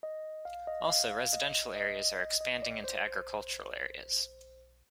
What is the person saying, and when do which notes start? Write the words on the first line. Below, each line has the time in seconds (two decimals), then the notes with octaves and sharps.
Also, residential areas are expanding into agricultural areas.
0.03 D#5
0.45 F5
0.67 D#5
0.89 F5
1.11 F5
1.33 D#5
1.76 D#5
2.19 D#5
2.41 D#5
2.62 D5
2.84 C5